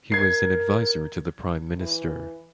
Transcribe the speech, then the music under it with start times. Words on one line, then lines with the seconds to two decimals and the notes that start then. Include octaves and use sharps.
He was an adviser to the prime minister.
0.12 A#4 G#6 C7
1.79 E3